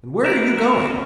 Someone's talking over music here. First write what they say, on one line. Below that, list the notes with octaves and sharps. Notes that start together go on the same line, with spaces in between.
"And where are you going?"
B3 F#4 A#4 E5
B3 F#4 A#4 E5
C#4